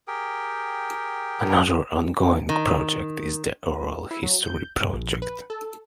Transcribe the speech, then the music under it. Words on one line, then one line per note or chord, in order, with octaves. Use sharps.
Another ongoing project is the Oral History Project.
G4 G#4 A#4 G5
D#3
E4
F#3
G6
G2
A#1
B4
A4